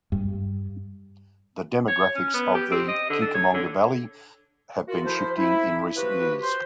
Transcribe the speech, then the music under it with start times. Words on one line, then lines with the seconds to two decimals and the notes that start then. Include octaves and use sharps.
The demographics of the Cucamonga Valley have been shifting in recent years.
0.12 G2
1.88 C#5
2.15 C#4
2.34 B3
2.55 G4
2.71 C4
2.88 D#5
3.10 D3
3.22 A4
3.34 C#5
3.54 D3
4.88 F4 F#4 A#4
5.04 D2 F3 E4 C5
5.37 E4
5.97 F3 F#4 G4 B4
6.42 C5 C6